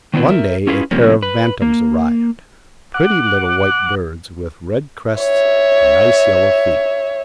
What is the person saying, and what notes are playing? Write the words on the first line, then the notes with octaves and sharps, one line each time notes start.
One day, a pair of bantams arrived,--pretty little white birds, with red crests and nice yellow feet.
D#3 B3 C4 D4 E4 B4
A#4 E5
C#4 E4 F4 G#4 B4
C3 F3 G3 A#3 C#4
B4
A#3
F#5 D6 F#6
C#5 E5